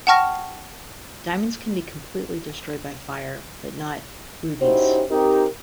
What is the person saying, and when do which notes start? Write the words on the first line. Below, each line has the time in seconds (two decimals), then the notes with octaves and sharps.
Diamonds can be completely destroyed by fire, but not rubies.
0.07 F#5 G5 A5 C#6 F6 A#6
4.61 C#4 D#4 E4 F#4 G4 C5
5.10 C4 D#4 G4 A#4